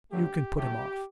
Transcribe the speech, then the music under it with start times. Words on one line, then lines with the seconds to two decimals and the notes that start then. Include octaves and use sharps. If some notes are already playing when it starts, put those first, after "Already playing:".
'You can put him off.
0.10 G2 D3 F#3 A3 G4
0.56 A2 F#3 A3 G4